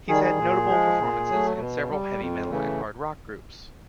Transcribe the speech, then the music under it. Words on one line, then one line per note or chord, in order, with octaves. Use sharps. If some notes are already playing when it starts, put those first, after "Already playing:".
He's had notable performances in several heavy metal and hard rock groups.
D#3 G3 G#4
G#4
A#2
F3 G#3
A#2
F#3 A3
B2
G3
F2
C#3 E3 A3